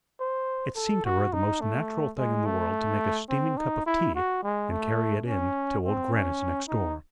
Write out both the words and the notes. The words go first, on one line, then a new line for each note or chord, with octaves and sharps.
It seemed to her the most natural thing in the world to make a steaming cup of tea and carry it in to Old Grannis next door.
C5
A4
F#4
D#4
A3
G#3
A3
C4
D#4
E4
F#4
G#3
A3
C#4
C4
C#4
D#4